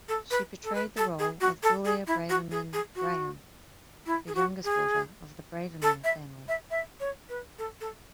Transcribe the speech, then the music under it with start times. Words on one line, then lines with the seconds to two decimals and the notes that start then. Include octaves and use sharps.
She portrayed the role of Julia Braverman-Graham, the youngest daughter of the Braverman family.
0.09 A4
0.31 B4
0.64 A4
0.75 B4
0.97 A4
1.19 G#4
1.41 F#4
1.63 A4
1.85 G#4
2.07 E4
2.29 F#4
2.51 G#4
2.73 G#4
2.95 F#4
4.06 E4
4.28 G#4
4.35 F#4
4.64 G#4
5.82 A4
6.04 E5
6.48 E5
6.71 E5
7.00 C#5
7.29 B4
7.59 A4
7.81 A4